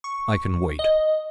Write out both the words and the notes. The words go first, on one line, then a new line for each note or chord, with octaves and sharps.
I can wait.
C#6
D#5